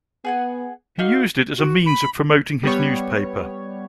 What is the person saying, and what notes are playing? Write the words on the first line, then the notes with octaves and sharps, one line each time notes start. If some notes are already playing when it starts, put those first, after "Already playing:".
He used it as a means of promoting his newspaper.
B3 G#4 F#5 G#5
A#3 D#4 F#4 F6
F#4
B5
G3 B3 C#5